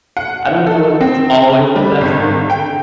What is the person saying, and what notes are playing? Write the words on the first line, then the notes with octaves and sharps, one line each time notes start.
I don't know if it's always the best thing to,
F#5
A4
C4
C#3
G3
G#1
G5